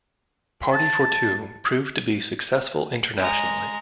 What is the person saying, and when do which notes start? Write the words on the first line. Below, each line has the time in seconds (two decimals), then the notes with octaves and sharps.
"Party for Two" proved to be successful internationally.
0.72 A5
3.18 G#3 A#5